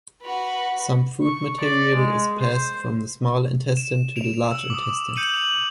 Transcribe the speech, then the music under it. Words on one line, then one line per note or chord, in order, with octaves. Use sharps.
Some food material is passed from the small intestine to the large intestine.
F#4 B4
C#6
D5
G#3
C5
E7
D7 E7 F7
E6
D6 D#6
D#6 G6 C#7 D#7 F#7
F7 F#7